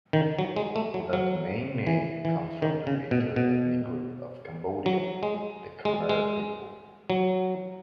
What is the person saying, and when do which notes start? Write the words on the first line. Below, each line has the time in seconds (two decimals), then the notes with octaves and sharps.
The domain name comes from the major ethnic group of Cambodia, the Khmer people.
0.13 D#3
0.39 F#3
0.56 G#3
0.76 A3
0.94 F#3
1.13 F#3
1.87 E3
2.25 E3
2.62 D#3
2.87 C#3
3.11 B2
3.36 B2
4.86 F#3
5.23 G#3
5.85 G#3
6.09 G#3
7.10 F#3